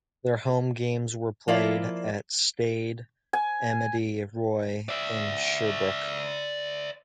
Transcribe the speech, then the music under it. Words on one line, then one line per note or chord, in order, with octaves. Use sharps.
Their home games were played at Stade Amedee Roy in Sherbrooke.
F3 A#3 E4 F4 D5
G#5
D5 E5